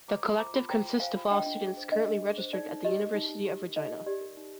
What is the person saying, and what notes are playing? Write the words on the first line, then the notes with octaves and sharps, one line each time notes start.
The collective consists of all students currently registered at the University of Regina.
C5 A#5 D6
F4
C5 A#5 D6
F4
C5 G5 A#5
F4
C5 F5 G#5
F4
D4 D#5 G5
D4
G#4
C5
D4 D#5
D4
G#4
C5
D#4 D5
D#4
G4 D#5
A#4
D#4
D#4
G4
A#4
D#4 D#5
D#4
G4 D5
A#4
D#4